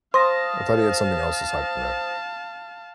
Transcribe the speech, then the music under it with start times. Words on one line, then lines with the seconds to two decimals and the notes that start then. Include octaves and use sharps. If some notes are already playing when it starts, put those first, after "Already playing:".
I thought he had something else aside from that.
0.14 C5 F5 A5 C6 D#6 A#6